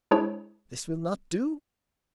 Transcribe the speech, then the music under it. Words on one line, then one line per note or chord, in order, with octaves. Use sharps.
'This will not do.
G#3 D4 E4 G#4 C5 C#5